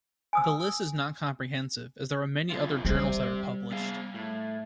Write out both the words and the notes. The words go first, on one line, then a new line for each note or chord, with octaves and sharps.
The list is not comprehensive, as there are many other journals that are published.
G#5 D#6 E6
F#2 F4
G3 G4 C5
B3 G#4 F5
A2